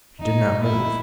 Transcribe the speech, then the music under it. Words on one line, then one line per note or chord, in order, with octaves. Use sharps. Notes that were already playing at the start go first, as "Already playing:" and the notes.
She did not move.
D#4
E4